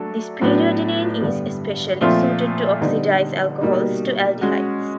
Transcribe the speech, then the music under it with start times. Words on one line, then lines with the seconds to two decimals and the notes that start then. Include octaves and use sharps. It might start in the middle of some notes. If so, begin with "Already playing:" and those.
This periodinane is especially suited to oxidize alcohols to aldehydes.
Already playing: F#3 A3 D4 F#4 A4
0.41 A2 F#3 B3 D4
1.21 G2 D3 G3 B3
2.01 A#2 F3 A3 C4 F4
2.81 D3 G3 B3 D#4
3.61 B2 G3 A#3 D#4
4.41 G#3 C#4 F#4